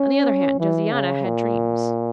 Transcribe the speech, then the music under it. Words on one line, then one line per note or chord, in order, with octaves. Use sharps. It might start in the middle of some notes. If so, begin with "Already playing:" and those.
On the other hand, Josiana had dreams.
Already playing: C#4
E3
C#3
A#2